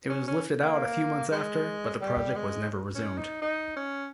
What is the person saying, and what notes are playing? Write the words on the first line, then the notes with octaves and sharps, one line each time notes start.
It was lifted out a few months after, but the project was never resumed.
C#4
C#4
A#3
G#3
G3
G#3
C#4
D#4
D#4
C#4